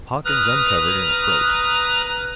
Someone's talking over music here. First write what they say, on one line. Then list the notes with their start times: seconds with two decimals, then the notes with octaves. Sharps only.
Hawkins uncovered and approached.
0.25 B4 A#5 D#6 F6 F#6